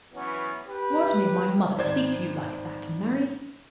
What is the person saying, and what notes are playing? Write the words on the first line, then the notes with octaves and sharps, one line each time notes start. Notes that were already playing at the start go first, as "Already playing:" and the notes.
"What made my mother speak to you like that, Mary?"
E3 F#3 B3 C#4
G4 B4
G#1 C5 D5 G#6